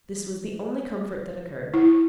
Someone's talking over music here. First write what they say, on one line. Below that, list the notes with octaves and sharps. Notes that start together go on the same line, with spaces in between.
This was the only comfort that occurred.
E4